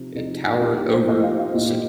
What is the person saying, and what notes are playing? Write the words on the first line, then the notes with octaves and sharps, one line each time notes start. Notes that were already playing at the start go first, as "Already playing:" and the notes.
It towered over the city.
Already playing: C3 F3 C4 D#4
C3 F3 C4 D#4
A#4
F3 A#3 D#4 G4
G4
C5
F3 A#3 D#4 D#5
F5
F5
A#2 A#3 D#4